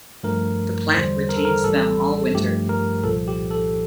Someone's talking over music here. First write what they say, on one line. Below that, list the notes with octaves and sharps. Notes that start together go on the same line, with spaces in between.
The plant retains them all winter.
G2 F3 A3 A#4
E2 D3 G3 C5
A#4
A4
A#4
A#1 A2 E3 G3 A4
G2 F3 A3 G4
A#4
C2 A#2 F3 A4
G4
A4